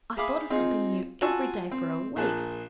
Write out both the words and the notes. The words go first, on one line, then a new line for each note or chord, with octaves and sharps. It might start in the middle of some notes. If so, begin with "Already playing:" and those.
I thought of something new every day for a week.
G#4 E5 F5 B5 D6 D#6
C4 D#4 F4 G#4
F4 F#4 G#5 A5 C#6 E6
C4
A#1 F3 A#3 G#4 A5 F#6